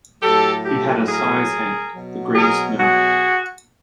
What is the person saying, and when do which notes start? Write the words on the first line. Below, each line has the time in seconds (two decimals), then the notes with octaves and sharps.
He had a size hand, the greatest known.
0.22 A2 F#3 G4 A4
0.65 G4 A4
1.08 G#4 A#4
1.94 B2 F#3
2.35 G#4 A#4
2.78 F#4 G#4